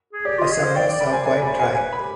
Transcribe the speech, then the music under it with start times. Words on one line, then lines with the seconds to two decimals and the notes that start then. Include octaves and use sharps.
The summers are quite dry.
0.13 G#4
0.25 G4 D5
0.38 F4 D#5
0.51 G#4
0.59 C5 F5
0.75 D5 G5
0.92 D5
1.01 B5
1.09 C5 G#5
1.25 D5 G#5
1.42 D5 B5
1.51 C5
1.60 G#5
1.75 B4 G#5
1.93 B5
2.00 G4